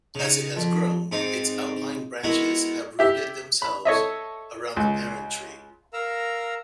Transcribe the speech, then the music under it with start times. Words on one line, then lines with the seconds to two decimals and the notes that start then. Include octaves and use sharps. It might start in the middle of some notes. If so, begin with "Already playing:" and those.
As it has grown, its outlying branches have rooted themselves around the parent tree.
0.15 C#3 D#4
0.56 F2
1.12 G#2 C4 D#4 D6
2.23 G#3 B3 E4 F#4 A#4
2.99 E4 G4 E5
3.62 B5
3.85 A4 C#5 D#5 E5
4.77 C#2
5.93 A#4 F5 A#5 E6